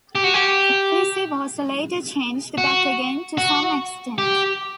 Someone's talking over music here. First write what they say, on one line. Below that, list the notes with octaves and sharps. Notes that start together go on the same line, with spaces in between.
The policy was later changed back again to some extent.
G4
F#4
G4
F#4
F#4
G4